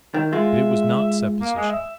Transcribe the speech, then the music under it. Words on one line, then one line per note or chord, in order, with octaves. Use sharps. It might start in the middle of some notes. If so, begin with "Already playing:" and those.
But it was not supposition.
D#3
G#3 F4 E5
A#3
G#3
E5